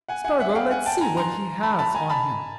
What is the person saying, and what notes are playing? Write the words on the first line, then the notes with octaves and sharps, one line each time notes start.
"Spargo, let's see what he has on him."
F#5 G#5
F#5 G#5
E5 F#5
F5 G5
F#5 G#5
G5 A5
G#5 A#5
A#5 C6
A5 B5
A5 B5
G#5 A#5
A5 B5